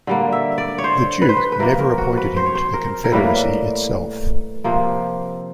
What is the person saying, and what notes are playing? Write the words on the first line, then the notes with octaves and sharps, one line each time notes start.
The Duke never appointed him to the Confederacy itself.
D3 G3 A#3
E5
D5
C#5
C5
B4
C5
B4
B4
C3 F3 A#3 A#4
A#4
F#4
B4
C5
C#5
C5
A#4
A#4
A2 E3 G3 A#3 B4
C3 F3 A#3